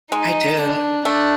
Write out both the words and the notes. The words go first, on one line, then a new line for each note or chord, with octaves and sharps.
I do.
G#3 D#4
D4
A3 D4